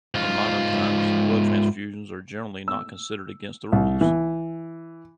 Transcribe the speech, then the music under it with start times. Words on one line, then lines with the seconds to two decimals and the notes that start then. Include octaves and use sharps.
In modern times, blood transfusions are generally not considered against the rules.
0.14 G#2 F4
2.68 E6
3.72 C2
4.01 E3